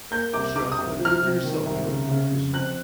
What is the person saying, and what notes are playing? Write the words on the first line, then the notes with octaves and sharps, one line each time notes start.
For sure, hon, but do it for yourself, you know, do it for yourself.
A#3 G6
C2 D6
C2 D6
D#6
C2
F3
F6
C3
D#3
C2
C#3
C#3
F1
F2 F#6